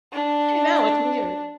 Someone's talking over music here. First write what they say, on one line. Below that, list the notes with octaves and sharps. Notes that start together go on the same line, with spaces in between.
I know, it's weird.
D4